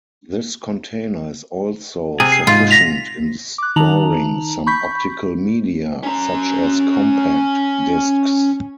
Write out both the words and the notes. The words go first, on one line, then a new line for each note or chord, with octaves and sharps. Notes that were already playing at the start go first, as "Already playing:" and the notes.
This container is also sufficient in storing some optical media, such as compact disks.
C3 G#4
C7
G#2 F4
A#6 B6 F7
D6 F#6
D#3 D#4 A5 A#5 F7 F#7
B5 C#6 G6 B6
C#4 A#5